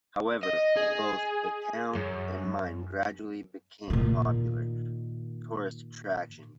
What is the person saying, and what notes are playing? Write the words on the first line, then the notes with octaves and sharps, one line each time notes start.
However, both the town and mine gradually became popular tourist attractions.
D#5
G#4
F#2
A#2 D#3